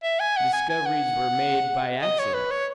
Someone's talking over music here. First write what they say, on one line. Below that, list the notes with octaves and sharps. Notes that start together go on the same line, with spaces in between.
Discoveries were made by accident.
E5
G#5
F#5
G#5
G#5
F#5
D#5
C#5
B4
C#5